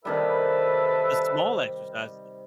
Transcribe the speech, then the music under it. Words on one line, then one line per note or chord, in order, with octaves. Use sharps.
the small exercise
C3 D#3 G3 A4 B4 E5